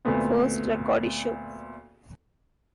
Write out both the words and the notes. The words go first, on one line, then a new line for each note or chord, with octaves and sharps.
First record issue.
D2 A#2 A3 B3 C4